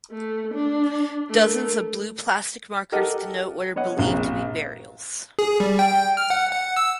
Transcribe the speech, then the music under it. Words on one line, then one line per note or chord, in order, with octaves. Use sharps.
Dozens of blue plastic markers denote what are believed to be burials.
A3
D4
A3 A#4
G4 A4 A#4 D#5 F#5
B3 C#5 D#5 F#5
A#1 C3 C#4 G#4
G#4
G3
G5
F6
F#5
F#5
E6